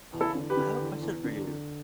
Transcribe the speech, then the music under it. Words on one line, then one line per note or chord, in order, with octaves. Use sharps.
Um, I have a question for you.
E2
E4 A4
D3
G4 B4
D3
E2
E2
D3
D3